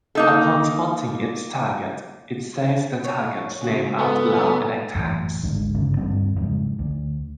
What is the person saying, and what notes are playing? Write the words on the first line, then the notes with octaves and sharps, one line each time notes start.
Upon spotting its target, it says the target's name out loud and attacks.
A#3 D#4 A4
C#5
C#3 F#4
B3 A4
F#2 A2 E3
G#1 D2 G#2
G1 C#3
D2 G2 G3 C4
F#1 F2 G#2
D2